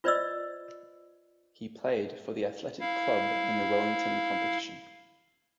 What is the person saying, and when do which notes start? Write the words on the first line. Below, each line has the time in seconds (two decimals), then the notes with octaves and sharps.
He played for the Athletic Club in the Wellington competition.
0.04 F4 B4 C5 D5 D#5 E6
2.80 E4 F5